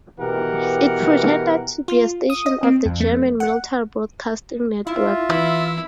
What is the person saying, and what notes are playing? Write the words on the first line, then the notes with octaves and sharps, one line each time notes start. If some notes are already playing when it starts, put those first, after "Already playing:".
It pretended to be a station of the German military broadcasting network.
B2 E3 G4 A#4 F#5
F4
D#6
D#5
C4
F2
A3
F#5
E4 F4 E5
E3 E4